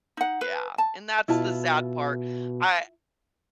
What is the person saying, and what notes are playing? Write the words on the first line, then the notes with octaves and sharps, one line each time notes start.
Yeah, and that's the sad part. I
D#4 F#5
B4
A5
B2 E4 F4 A5